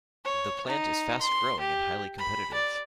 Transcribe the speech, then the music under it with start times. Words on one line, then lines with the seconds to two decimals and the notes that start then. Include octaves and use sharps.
The plant is fast-growing and highly competitive.
0.24 C#5
0.67 D#4
1.21 C6
1.60 G4
2.18 B5
2.54 D5